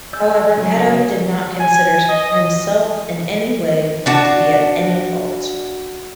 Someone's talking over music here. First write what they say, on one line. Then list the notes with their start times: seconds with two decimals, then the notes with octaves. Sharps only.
However, Peto did not consider himself in any way to be at any fault.
0.13 G#4 D5 G#5 E6 G6
0.57 C#3 F#3 G#3
1.60 G#5
2.09 D#5
4.06 D4 F#4 A5